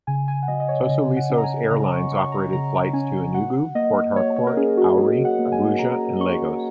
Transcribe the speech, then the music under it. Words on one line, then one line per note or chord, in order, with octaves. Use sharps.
Sosoliso Airlines operated flights to Enugu, Port Harcourt, Owerri, Abuja and Lagos.
C#3 G#5
G#5
F#5
F#3 D#5
D#5
C#5
C#3 D#5
F#5
C#4
A#5
G#5
C#3 A#5
C#6
F#3 C#6
A#5
C#3 A#5
C#4 G#5
F#3 F#5
A#3 D#5
F#3 C#5
C#5
A#4
C#4 G#4
F#4
F#3 G#4
F#5
A#3
G#5
F#3 A#5
C#4 C#6